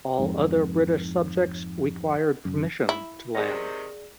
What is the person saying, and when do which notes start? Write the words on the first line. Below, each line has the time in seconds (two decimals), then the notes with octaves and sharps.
All other British subjects required permission to land.
0.19 F2 G#2
2.45 F#1 F#2
2.89 E4
3.35 C3 D#3 G#4 D5 A#6